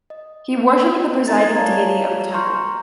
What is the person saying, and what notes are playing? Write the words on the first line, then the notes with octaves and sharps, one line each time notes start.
He worshipped the presiding deity of the temple.
D#5
D#4 A#4 D#5 A#5 A6
C#5 D5 F5 A5 A#5 G#6
A#5 C6 C#6 F6 G6